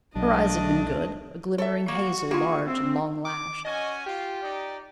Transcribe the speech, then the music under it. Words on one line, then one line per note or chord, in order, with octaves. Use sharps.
Her eyes had been good--a glimmering hazel, large and long-lashed.
B1 F#3 A3 D4 D#5
A4 A#4 C#5 E5
A#3 F#4 C#6
A#3 F4 G4 G#4 C#6
C4 E6
D6
C#4 F#4 D#5 G#5
F4 G4
D#4 D5